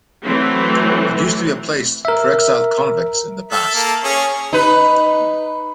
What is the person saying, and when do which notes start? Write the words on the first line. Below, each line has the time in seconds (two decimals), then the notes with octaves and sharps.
It used to be a place for exiled convicts in the past.
0.23 E3 F#3 A3 C4
2.05 A#4 E5
3.52 A4 E5
3.75 A#3 A5
4.04 C#4 G#4
4.53 D#4 B4